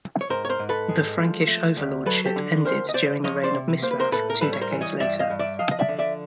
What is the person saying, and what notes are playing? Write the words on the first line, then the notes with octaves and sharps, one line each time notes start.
The Frankish overlordship ended during the reign of Mislav two decades later.
C#5
G#2 A#4 C5
C#5
A#4 C5
G#2
A4 B4
G#3
F3
A3
D2
F#3 A4 B4
G4 A4
D3
D2 A#4 C5
D#5
D2 C5 D5
F3 C#5 D#5
C5 D5
C3
A#3 C5
B4
A#4 C5
A2 A4 B4
A#4
G3 A4 B4
C#5
A#4 C5
E3
C#5 D#5
G2 D5 E5
D#5 F5
G2
D5 E5
F3 D#5 F5
D#5
D5 E5
D3
D5 E5